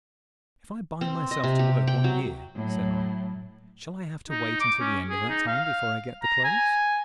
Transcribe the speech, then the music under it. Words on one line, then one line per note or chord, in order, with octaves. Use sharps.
"If I bind myself to work one year," said I, "shall I have to wait until the end of that time before I get the clothes?"
C4
D#5
C3
G4
G5
F#3
A2 F#3
D#4
D6
C#4
G#4
D#4
F5
A#5
G#5